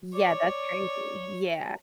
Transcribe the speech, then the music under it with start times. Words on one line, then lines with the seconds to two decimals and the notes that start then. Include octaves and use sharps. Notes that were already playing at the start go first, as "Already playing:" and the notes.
Yeah, that's crazy. Yeah.
0.14 C#5 D5